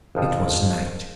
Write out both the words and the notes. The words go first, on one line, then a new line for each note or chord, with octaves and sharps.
It was night.
G#1 F2 F3